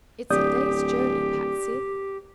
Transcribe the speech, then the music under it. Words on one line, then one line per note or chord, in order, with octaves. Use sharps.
"It's a day's journey, Patsy."
D1 G4 D5 D#6 G6